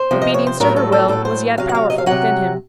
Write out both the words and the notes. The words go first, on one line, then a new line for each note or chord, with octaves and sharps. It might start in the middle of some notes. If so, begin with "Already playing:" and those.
Obedience to her will was yet powerful within him.
Already playing: C5
C3 F3
D#5
C#5
C5
A2 F#3 A#4
A4
A4
A2 F#3 A4
C5
C3 F#3 F5
F#5
F5
D#5
F5
C3 F#3 F#5